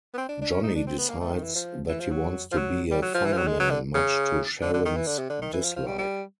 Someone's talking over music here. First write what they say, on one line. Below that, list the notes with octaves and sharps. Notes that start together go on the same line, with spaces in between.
Johnny decides that he wants to be a fireman, much to Sharon's dislike.
B3
C4
D4
D4
C#4
D#4
D4
C4
B3
A#3
A3
D#3
E3
F3
E3
F3
F#3
F3
F#3
G3
F#3
F3
E3
F3
F#3
G#3
F#3
D3
C#3
D3
D3
D#3
E3
D3
C3
D3
D#3
E3
F3
F3
G3
G3